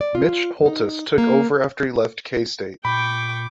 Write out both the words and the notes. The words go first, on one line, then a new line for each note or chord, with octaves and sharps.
Mitch Holthus took over after he left K-State.
D5
F4
D#4
A#3
A#2 G5 B5 C#6 D6